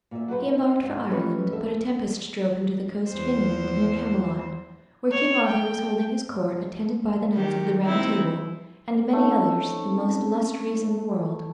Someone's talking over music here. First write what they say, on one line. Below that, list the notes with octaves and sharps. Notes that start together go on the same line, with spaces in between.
He embarked for Ireland; but a tempest drove him to the coast of England, near Camelot, where King Arthur was holding his court, attended by the knights of the Round Table, and many others, the most illustrious in the world.
A#2 E5
F#3 F#4 B4 C5
D#4
G#2 C4
E3 A3 C#4 G4 B4 D#5
A4 E5
E2 C5
C#5
G5
D#3 F#3 G4
C4 D#4 E4
A3 C4 C#4 D#4